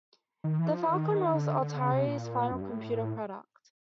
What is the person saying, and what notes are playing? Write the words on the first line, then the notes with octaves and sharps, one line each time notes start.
The Falcon was Atari's final computer product.
D#3
E3
F3
D#3
D3
D3
C#3
C3
A#2
F#2
G2
A2